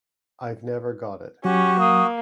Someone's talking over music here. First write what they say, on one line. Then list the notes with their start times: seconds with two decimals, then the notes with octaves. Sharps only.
I’ve never got it.
1.45 F#3 C#4 F#4 G4
1.80 A#3 D#6